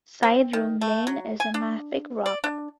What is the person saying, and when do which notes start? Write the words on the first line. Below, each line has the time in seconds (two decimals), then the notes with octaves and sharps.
Sideromelane is a mafic rock.
0.23 C4
0.53 D#3
0.81 A3
1.07 F#3
1.40 G#5
1.54 D4
2.26 D5
2.44 D4